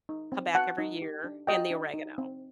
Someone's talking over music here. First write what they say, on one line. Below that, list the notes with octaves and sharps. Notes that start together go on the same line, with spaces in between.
come back every year, and the oregano,
D#4
C4
F#4 F#5 A5
D#4
G4
D4
F#4 D#5 G5
D4
D#4
C4